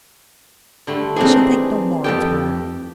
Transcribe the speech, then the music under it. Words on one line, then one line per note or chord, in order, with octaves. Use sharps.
"I shall think no more of her."
D3 G3 A3
E3 C4 D4 D#4 G#4
F2 G4 A4 G5